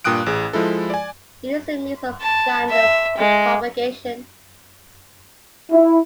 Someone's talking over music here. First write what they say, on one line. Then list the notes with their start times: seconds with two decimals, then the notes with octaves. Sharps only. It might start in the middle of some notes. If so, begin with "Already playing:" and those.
It is a means of plant propagation.
0.04 G2 A#2 G5 D#6 F#6 D7
0.26 A1 G#4
0.53 F3 G#3 E4 A4
0.90 D5 G#5
2.21 A5
2.69 E5
3.17 G#3
5.71 E4